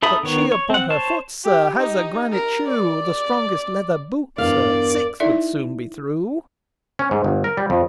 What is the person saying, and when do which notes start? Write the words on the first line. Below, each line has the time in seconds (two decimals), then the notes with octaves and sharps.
'But she upon her foot, sir, Has a granite shoe: The strongest leather boot, sir, Six would soon be through.'
0.02 D#4 A4 E5 B5 D#6
0.23 D#3 B3 C#5
0.52 C#5
0.70 C4 F#5
0.90 C5 C#5 A5
1.44 G4
1.77 D#4
2.32 A#4
2.69 D5
4.38 E2 G2 A#4 D5 F5
5.20 D#4 E4 A4 D5 E5
6.99 C#4
7.11 G#2
7.24 G1
7.44 A#4
7.57 G3
7.70 F2